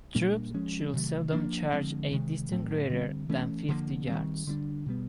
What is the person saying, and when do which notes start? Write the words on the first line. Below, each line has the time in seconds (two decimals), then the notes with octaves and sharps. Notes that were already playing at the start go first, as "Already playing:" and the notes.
Troops should seldom charge a distance greater than fifty yards.
0.15 A#2 G3 A#3 D4
0.54 F3 G#3 C#4
0.93 C3 D#3 F#3 A3
1.32 F3 A#3 D4
1.72 D3 F3 G#3 C4
2.11 C3 D#3 G#3
2.51 A2 F#3 A3 C4
2.89 D3 G3 C4
3.29 E3 A3 C#4
3.68 D3 F3 A#3
4.08 D#3 G3 C4
4.47 D3 G3 B3 D4
4.86 B2 G3 B3